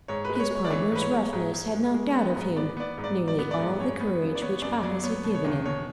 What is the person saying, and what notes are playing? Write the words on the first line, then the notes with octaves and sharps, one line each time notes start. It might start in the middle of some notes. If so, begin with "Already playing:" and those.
His partner's roughness had knocked out of him nearly all the courage which Bacchus had given him.
G#2 C#5
B4
G#3
B4
C#5
G#3 C#5
D5
E3 C#5
G#2 B4
C#5
G#2
G#2
G#2
G#3
G#3
B3
G#2
B3 D5
B3 D5
G#2
D5
G#2
D5
B3
D5
G#2
F#2 C#5
B3
C#3
D5
B3 C#5
F#2 D5
F#3 D5
B3 C#5
B2
C#5
E2
B2 C#5